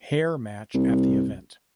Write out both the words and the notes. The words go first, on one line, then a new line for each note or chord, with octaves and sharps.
Hair match at the event.
C2